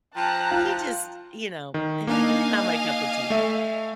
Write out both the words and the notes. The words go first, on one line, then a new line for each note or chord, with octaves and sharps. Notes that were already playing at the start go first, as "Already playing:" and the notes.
he just, you know, he he's not my cup of tea.
F3 G5 A5 A#5 F#6
F4
D#3
A#3 D4 D#4 D#5 F5 G#5
A3 E5